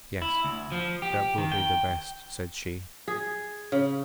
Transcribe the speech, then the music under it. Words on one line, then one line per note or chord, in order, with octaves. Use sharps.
'Yes, that will be the best,' said she.
E4
D2
F3
G4
D#3
G5
G#4
C#3